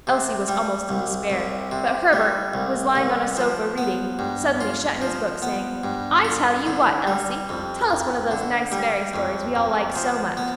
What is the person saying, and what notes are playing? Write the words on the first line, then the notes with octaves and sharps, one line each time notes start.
Elsie was almost in despair; but Herbert, who was lying on a sofa, reading, suddenly shut his book, saying, "I tell you what, Elsie! tell us one of those nice fairy stories we all like so much!"
C3
G3
C2
C2
C3
G3
C2
C2
F3
B3
G2
F4
F3
B3
G2
F4
D3
G3
F2
F2
D3
G3
F2
F2
F3
B3